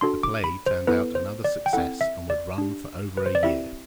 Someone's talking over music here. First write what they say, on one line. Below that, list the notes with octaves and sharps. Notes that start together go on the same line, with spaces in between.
The play turned out another success and would run for over a year.
D4 F#4 A4 C6
D6
B5
C5
B3 E4 A4 B4
C5
D5
G5
C4 E4 A4 F#5
E5
D5
D4 G4
B4
C5
D5
C4 E4 G4 E5